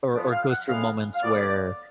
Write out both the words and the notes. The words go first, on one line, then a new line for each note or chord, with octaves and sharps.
or or goes through moments where,
F2 F3 G#3 B3 D5
F5
F5
F#5
A2 G#3 B3 F5
F5
A2 F3 B3 D5